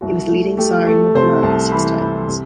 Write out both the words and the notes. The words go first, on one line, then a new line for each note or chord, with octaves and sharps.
He was the leading sire in North America six times.
C2 F#4
A3
A3 G4
A3 A4
C3 C5
C2 A5
E3 B5
C2 B5
C3